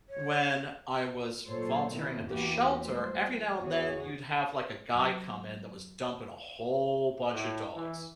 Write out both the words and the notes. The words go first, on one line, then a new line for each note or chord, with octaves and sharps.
when I was volunteering at the shelter, every now and then you'd have like a guy come in that was dumping a whole buncha dogs.
C#5
A#2 F#3 A4 C5 C#5
B2 D#3 B3 C4 E4
E2 E3 A#3 F#4 G4
F#3 G3 A3 C5
F3
E2 F#4 G#4 C#5
F#3
A2
E3